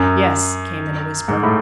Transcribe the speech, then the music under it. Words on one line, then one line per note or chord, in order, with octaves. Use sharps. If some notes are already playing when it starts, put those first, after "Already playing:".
"Yes," came in a whisper.
Already playing: F#2
G#2
A2